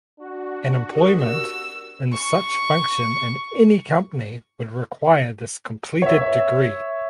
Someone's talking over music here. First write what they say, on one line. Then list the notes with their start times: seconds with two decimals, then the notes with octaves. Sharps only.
An employment in such function in any company would require this completed degree.
0.19 D4 F#4
0.93 G4 A#4 D#6
1.22 E6
2.13 C#6
6.02 C#5 E5